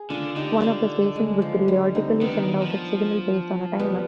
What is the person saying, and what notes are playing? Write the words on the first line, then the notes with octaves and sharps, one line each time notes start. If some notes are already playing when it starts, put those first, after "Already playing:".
One of the stations would periodically send out its signal based on a timer.
Already playing: G#4
D3 D4 F4
D3 D#4 G4
D4 F4
G#3
F3
G3
C4 D#4
D#3 B3 D4
F3
G3 B3